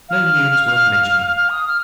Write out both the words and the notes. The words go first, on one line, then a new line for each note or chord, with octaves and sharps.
No news worth mentioning.
F5
D#6
F6